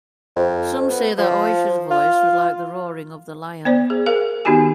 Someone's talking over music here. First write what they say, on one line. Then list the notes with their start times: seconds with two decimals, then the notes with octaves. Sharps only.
Some say that Oysher's voice was like the roaring of the lion.
0.36 F2
0.90 B3
1.18 F3
1.91 F4
3.65 B3 C5 D5
3.90 G#4
4.06 G#4 A#4 F5
4.45 D#3 B3 D#4 F#4 G4 G#5